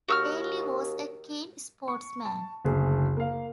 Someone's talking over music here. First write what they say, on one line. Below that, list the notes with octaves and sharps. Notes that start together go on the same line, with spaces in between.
Ainley was a keen sportsman.
D#2 F#4 E6 F6
C#6
A5
F#1 D2 G#4
A#3 F5